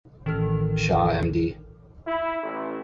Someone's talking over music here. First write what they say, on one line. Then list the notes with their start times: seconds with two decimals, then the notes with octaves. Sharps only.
Shah Md.
0.26 A1 D#3 A4 F6
2.07 E4
2.42 A1